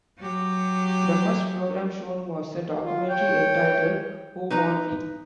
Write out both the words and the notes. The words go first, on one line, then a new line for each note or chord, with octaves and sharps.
The first program shown was a documentary entitled 'Who Are We?
F#3 G4
F4
C#5 G5
D#4 B4 A#5